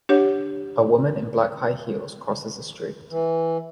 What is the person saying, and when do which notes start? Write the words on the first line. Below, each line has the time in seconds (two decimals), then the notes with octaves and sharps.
A woman in black high heels crosses a street.
0.09 D4 G4 C#5 F#5
3.10 E3